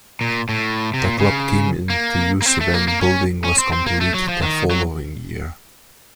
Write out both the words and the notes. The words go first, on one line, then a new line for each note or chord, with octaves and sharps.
The club came into use when building was completed the following year.
A#2
A2
C3
A#2
C#3
A#3
A#3
C4
A3
A#3
A#3
C#4
C#4
C4
C4
A#3
A3
F#3
F3
D#3
F#3